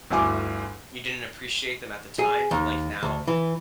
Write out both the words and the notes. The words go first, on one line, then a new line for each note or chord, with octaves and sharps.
you didn't appreciate them at the time, but, like, now,
G1 D2 E4 G#5 D6
G#4
D#2
D2
E3